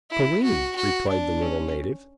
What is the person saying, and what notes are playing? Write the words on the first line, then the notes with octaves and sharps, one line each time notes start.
"Toline," replied the little native.
E4
F#4
F#4
D4
C#4